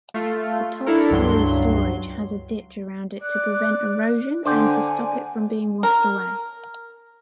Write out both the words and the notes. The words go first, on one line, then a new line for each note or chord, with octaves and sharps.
The top soil storage has a ditch around it to prevent erosion and to stop it from being washed away.
A3 F4
D4 E4 A4 A#4
C#2 G2 F#3 C6
D5 F#6
D3 D4 C5 D5 G5 G#5
A#4